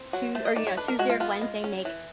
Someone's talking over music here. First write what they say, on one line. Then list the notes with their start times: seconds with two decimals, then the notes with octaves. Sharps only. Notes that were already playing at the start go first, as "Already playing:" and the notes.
Tues or, you know, Tuesday or Wednesday make
Already playing: C4
0.13 F#3 F#4
0.35 A3 C5
0.45 D#5
0.56 D#4 D5
0.67 C#5
0.77 D4 B4
0.88 A#4
0.99 G#3 F#4
1.10 F4
1.20 B3 F4
1.41 G#3
1.64 C#4
1.85 E3